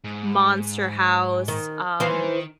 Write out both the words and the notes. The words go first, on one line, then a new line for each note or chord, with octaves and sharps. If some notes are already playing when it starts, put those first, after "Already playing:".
Monster House, um,
G#2
D#3
D#3 E3 B4 C5